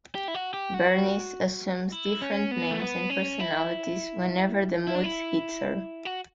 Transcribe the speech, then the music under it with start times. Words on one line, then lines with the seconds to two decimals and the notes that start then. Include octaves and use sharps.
Bernice assumes different names and personalities whenever the mood hits her.
0.15 G4
0.28 E4
0.35 F#4
0.54 G4
0.74 F#4
1.92 E4
2.22 C#4
2.51 B3
2.71 A3
2.80 B3
3.10 C#4
3.40 E4
4.87 E4
4.95 D4
5.04 E4
6.05 F#4